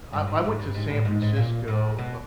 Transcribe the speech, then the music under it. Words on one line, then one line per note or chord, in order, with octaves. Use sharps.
I I went to San Francisco,
G2
G#2
G#2
G2
G#2
A2
G#2
G#2
A#2
A2
B2